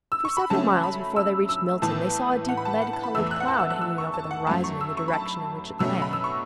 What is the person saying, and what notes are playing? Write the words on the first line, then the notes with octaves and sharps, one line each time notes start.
For several miles before they reached Milton, they saw a deep lead-coloured cloud hanging over the horizon in the direction in which it lay.
E6
C#6
B5
C#3 F#3 A3 C#4 A5
B5
E6
E6
A2 E3 B3 A5
F#5
B5
A5
F#5
A5
B5
E2 E3 A3 E6
F#6
F#5
A5
E6
F#6
E6
C#6
A5
F#5
F#2 F#3 A3 A5
C#6
E6
C#6
B5
A5
B2 F#3 A3 C#4 E6
B5
E6
C#6